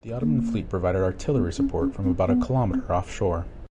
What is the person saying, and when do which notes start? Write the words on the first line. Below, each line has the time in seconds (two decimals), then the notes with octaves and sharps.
The Ottoman fleet provided artillery support, from about a kilometer off shore.
0.21 A#3
1.35 B3
1.58 C#4
1.80 C#4
2.04 C4
2.26 B3
2.72 C4